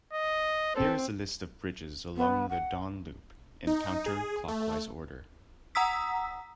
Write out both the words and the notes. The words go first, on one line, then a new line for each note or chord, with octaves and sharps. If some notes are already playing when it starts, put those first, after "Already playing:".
Here is a list of bridges along the Don Loop in counter-clockwise order.
D#5
C4 A4
B3
F#5
D#4
G#4
A3
F#5 A#5 D#6 E6 B6